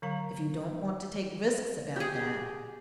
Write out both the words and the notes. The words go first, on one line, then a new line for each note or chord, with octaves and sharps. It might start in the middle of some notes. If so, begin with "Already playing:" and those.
If you don't want to take risks about that--...
D3 F#3 F5 A#5
G4 G#4